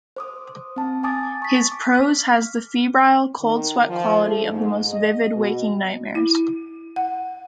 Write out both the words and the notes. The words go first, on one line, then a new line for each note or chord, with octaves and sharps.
His prose has the febrile, cold-sweat quality of the most vivid waking nightmares.
C5 D6 D#6
C4 A5
G#5 A5 D6 D#6 A6
C#6 B6
D6
F6
D#3
F3
A3
G#2
D#5
B2
E4
F#5